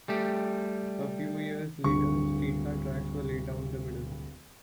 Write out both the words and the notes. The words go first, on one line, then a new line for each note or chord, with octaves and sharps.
A few years later streetcar tracks were laid down the middle.
G3 A3 G4
D1 G2 D3 C#6